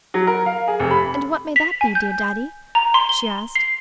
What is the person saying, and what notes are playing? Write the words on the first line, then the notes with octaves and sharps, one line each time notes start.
"And what may that be, dear Daddy?" she asked.
F#3
A#4
F5
G#4
F1
B5
B6
G#5
G6
A#5
C6
G7
C7